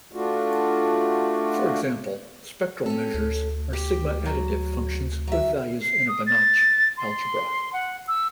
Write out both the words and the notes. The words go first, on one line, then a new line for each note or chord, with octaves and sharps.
For example, spectral measures are sigma-additive functions with values in a Banach algebra.
A3 D4 F4 F#4
C4 C#4 A4
D2
G4
F#3
F#3 E5
C7
D#6
A6
C6
F#5
E6